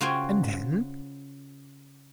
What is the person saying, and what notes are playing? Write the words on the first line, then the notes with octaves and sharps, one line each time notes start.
"And then?"
C#3 F4 F#4 C5 G5 G#5